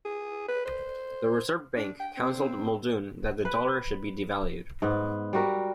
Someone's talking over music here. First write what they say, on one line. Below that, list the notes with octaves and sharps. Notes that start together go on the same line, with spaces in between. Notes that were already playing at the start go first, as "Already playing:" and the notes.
The Reserve Bank counselled Muldoon that the dollar should be devalued.
G#4
B4
C5
D4
G5
C4
B4
G#2 B3
G3 F#4 A#4